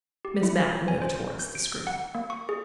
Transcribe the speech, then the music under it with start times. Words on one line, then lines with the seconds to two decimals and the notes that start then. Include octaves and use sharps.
Miss Mapp moved towards the screen.
0.25 G4
0.43 E4
0.88 G#5
1.02 C5
1.39 G6
1.55 D7
1.87 F#5
2.15 A#3
2.30 C#6
2.49 G#4